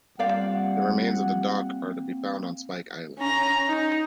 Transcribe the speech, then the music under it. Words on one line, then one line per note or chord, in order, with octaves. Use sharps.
The remains of the dock are to be found on Spike Island.
G3 A#3 C4 F4 C5 D5 F5 F#5
C#4 A#5
D#4